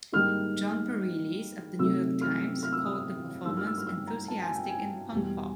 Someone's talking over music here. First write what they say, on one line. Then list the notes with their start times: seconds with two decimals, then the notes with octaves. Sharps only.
Jon Pareles of "The New York Times" called the performance enthusiastic and punk-pop.
0.12 G#2 D#3 G3 A#3 F6
1.79 C3 D#3 F#3 A3 E6
2.21 F6
2.63 F6
2.72 E6
2.84 D#6
2.94 E6
3.45 G2 D#3 G3 A#3 E6
3.57 F6
3.67 E6
3.78 F6
3.86 E6
4.07 A#5
4.28 A5
4.42 G#5
4.56 G5
4.69 G#5
5.12 E2 B2 G3